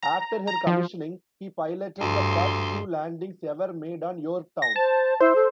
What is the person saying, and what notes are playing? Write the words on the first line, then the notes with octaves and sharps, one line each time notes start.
After her commissioning, he piloted the first two landings ever made on "Yorktown".
A#5
A#5
F3
D2 G2 C6
A#6
C5 A5
E4 C5
A4